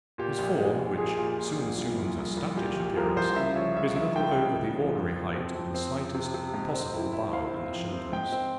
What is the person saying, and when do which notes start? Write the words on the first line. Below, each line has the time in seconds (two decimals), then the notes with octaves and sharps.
His form, which soon assumed a stoutish appearance, is a little over the ordinary height with the slightest possible bow in the shoulders.
0.18 A#2 G4
0.38 A#1
0.59 G#3
0.79 A#1
0.98 A#2 G#4
1.18 A#2
1.38 A#2
1.57 A#1
1.78 C2
1.98 C2
2.18 C2
2.37 C2
2.56 A#2 G4
2.77 C2
2.96 F3 A#4
3.16 C2 C5
3.36 C#3 E5
3.56 F3 C#5
3.76 C#2 E5
3.95 F3 E5
4.16 C#2 G5
4.36 C#3
4.55 C#3
4.75 F3
4.95 F2
5.15 F2
5.35 C4
5.55 F2
5.74 C4
5.95 C4
6.15 C3
6.34 C3
6.54 G#2
6.74 C4
6.94 E4
7.13 E4
7.33 C4 F5
7.54 C4
7.72 F3
7.93 C4
8.12 G#2 G5
8.32 C4